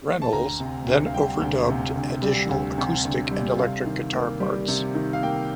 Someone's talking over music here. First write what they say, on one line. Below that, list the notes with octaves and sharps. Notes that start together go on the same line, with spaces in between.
Reynolds then overdubbed additional acoustic and electric guitar parts.
A5
D2 A#5
C3
D2
F5
G3 G5
D2
C3
D2
G3
D2
C3
D2
G3
C3 F5
D#3
A#3
G3
C3
D#3
F5
A#3 G5